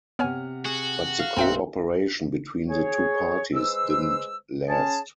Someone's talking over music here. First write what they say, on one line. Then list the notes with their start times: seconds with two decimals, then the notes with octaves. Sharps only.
But the cooperation between the two parties didn't last.
0.19 C3 B3 C#5 F#5 G#5 F6
0.65 F#4 G#4
1.19 F5
1.36 B1 C4 E5 G5 A#5
2.70 G#4 C#5
3.54 G#3 B4 C5 E6
4.68 C#4 G#4 A5